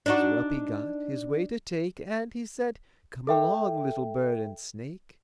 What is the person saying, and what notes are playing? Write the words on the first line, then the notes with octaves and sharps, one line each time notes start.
So up he got, his way to take, And he said, "Come along, little bird and snake."
D4 D#4 F#4
A4 E5 G5